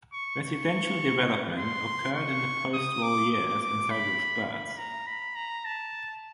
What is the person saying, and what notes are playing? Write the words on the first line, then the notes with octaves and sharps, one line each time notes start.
Residential development occurred in the postwar years in several spurts.
C#6
C#6
C6
C#6
D#6
D6
D6
D6
B5
B5
A#5
B5
A#5
A5